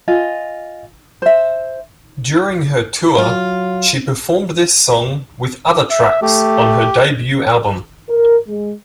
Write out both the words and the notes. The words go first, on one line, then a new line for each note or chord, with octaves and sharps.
During her tour, she performed this song with other tracks on her debut album.
F4 D#5 G#5
C5 E5
F#3 F4
E5
A3 G4
A#4
G#3